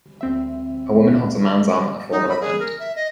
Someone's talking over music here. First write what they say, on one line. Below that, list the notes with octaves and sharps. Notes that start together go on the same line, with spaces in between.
A woman holds a man 's arm at a formal event.
D2 C4 E5
D#4
B5
G#4
A#4
E5
D#5